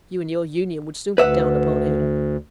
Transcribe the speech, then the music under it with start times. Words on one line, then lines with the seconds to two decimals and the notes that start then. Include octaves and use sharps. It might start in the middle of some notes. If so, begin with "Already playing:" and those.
You and your Union would soon be down upon him.
1.18 D2 B4 E5 F#5